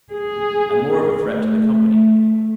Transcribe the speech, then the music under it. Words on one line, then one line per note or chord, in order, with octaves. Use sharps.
And more of a threat to the Company.
G#4
A3